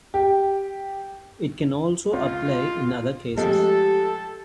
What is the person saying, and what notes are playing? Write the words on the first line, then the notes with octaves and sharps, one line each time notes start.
It can also apply in other cases.
G4
C#2 F4
F3 G#3 A3 G4 A4